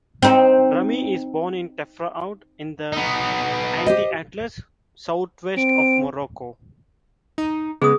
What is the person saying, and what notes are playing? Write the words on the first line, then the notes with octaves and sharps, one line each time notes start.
Rami is born in Tafraout in the Anti-Atlas, southwest of Morocco.
C4 D#4
B3 D#4
G4 C5 D#5
C4 D7
D#4
C#3 G#3 B3 G#4 D#6